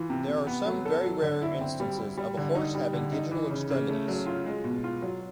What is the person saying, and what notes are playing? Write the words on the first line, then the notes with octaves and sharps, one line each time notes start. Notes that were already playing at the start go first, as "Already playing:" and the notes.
There are some very rare instances of a horse having digital extremities.
Already playing: E3 F4
C3
C3
B3
F#3
A4
F#3
D3
E4
C4
G3
G3
G3
D3
D#4
G3
D3
D#4
E3
C#3
C#3
A3
F#3
F4
G#3
B2
F4
F#3